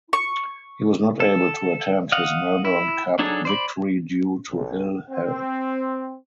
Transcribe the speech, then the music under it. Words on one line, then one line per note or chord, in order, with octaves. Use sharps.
He was not able to attend his Melbourne Cup victory due to ill health.
C#6
A4
D#5 F5 F#5
E4
F#3 D4 D#4 G#4 A4
C5 D5 B5
B1
C4